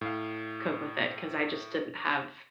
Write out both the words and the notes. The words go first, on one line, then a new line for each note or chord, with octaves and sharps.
cook with it 'cause I just didn't have
A2 F5